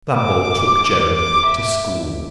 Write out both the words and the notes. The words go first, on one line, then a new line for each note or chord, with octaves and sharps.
Lambole took Joe to school.
D6
D6
E5